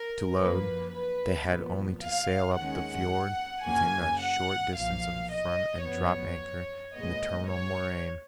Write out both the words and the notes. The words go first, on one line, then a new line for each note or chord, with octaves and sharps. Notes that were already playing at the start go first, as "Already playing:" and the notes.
To load, they had only to sail up the fiord within a short distance of the front and drop anchor in the terminal moraine.
Already playing: A#4
F#2 F3 A#3 B4
B4
A#2 F3 B3
F5
D#2 D#3 G#3 C#4 F#5
F#2 C#3 F#3 A#3 C#4 G#5
F#5
B1 A#2 F3 F5
D#5
F#2 F3 B3 C#5
A#2 G#3 B3 D#5
C#5